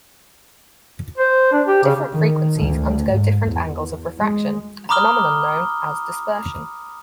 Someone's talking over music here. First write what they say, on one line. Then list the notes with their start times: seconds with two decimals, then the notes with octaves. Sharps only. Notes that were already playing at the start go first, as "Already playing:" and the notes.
Different frequencies undergo different angles of refraction, a phenomenon known as dispersion.
1.18 C5
1.52 D4
1.67 G4
1.83 C#3
2.14 D#3
2.55 D2
3.07 G#2
3.43 E2
4.19 G#3
4.89 A#5 B5 D6 D#6 F6 G7